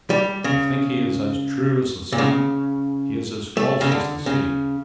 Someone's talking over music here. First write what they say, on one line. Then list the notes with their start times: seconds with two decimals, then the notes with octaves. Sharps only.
You think he is as true as the sun--he is as false as the sea.
0.10 G3
0.44 C#3
2.12 A#2
2.18 C#3
3.57 A3
3.81 C#3
3.92 D3
4.26 C#3